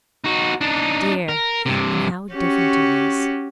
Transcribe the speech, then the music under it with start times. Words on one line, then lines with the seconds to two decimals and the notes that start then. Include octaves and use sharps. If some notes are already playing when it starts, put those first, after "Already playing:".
Dear! and how different it is!
0.24 D#4 F#4
0.61 D4 D#4
1.29 A#4
1.66 G2 C3
2.34 C#4 F#4 G4